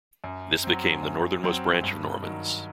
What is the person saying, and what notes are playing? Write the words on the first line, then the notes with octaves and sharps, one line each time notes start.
This became the northern most branch of Normans.
F#2
F#3 C4
F#2
F#3 C4
G2
D#3 F#3